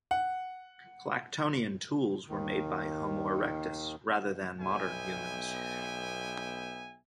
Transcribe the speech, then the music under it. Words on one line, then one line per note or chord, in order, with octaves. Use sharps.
Clactonian tools were made by "Homo erectus" rather than modern humans.
F#5
D#2 D#3
B1 B3 E5 G5 G#5